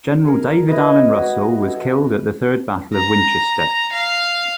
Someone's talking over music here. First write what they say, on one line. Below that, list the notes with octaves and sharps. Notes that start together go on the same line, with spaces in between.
General David Allen Russell was killed at the Third Battle of Winchester.
G#4 A#4
E4 B4 D#5
F#4
A4
A#5
F5